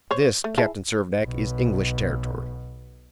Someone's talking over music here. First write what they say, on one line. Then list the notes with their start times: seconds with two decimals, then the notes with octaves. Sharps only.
This, Captain Servadac, is English territory.
0.11 C5 C#5
0.44 A3
0.58 E4 G#4 A5
1.20 B1 B2